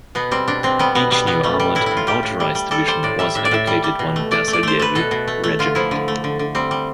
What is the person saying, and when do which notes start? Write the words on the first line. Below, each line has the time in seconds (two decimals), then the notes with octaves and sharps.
Each new armoured and motorised division was allocated one Bersaglieri regiment.
0.15 B2 B3
0.31 G3 C4
0.48 B2 D4
0.63 B2 C4
0.79 G3 B3
0.95 B2 B3
1.11 G3 B3
1.27 B2 B3
1.43 G3 A3
1.60 G3
1.75 A2 E4
1.86 A2 E4
1.97 F4
2.07 G3 G4
2.23 A2
2.40 G3
2.55 G3
2.71 G3 A4
2.88 G3 C5
3.03 A2 D5
3.19 G3 E5
3.35 A2 E5
3.45 D5
3.51 A2 E5
3.67 G3
3.84 G3
3.99 B2
4.16 A3
4.31 A3 D5
4.48 A3
4.53 D5
4.63 A3 C5
4.79 A3 B4
4.95 B2 A4
5.11 B2
5.28 A3
5.44 A3
5.59 D3 F4
5.75 F3 E4
5.91 D3
6.08 A3
6.24 D3
6.39 D3
6.55 G3 C4
6.71 G3